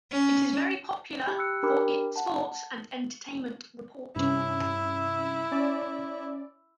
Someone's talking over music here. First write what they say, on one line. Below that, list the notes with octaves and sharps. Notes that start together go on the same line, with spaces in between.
It is very popular for its sports and entertainment report.
C#4
G4 B5
E6 F#6 C#7
D4 G4 A#4 B5 D6
F#5 A5
G2 C3 C#4 E4
C#4 D5